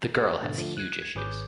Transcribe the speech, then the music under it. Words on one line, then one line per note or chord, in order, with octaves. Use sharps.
The girl has huge issues.
G4 C#5 F#5
G#2 B2 D3 A6
D3 F3 A3
F#6 G#6
G#6
G#1 G#4 B4 C#5 D6 G6